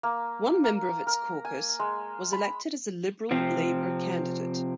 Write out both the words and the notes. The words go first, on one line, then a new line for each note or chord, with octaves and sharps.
One member of its caucus was elected as a Liberal-Labour candidate.
A#3
A#4
A#4
G#5
G#3
B5
C3 F3 C4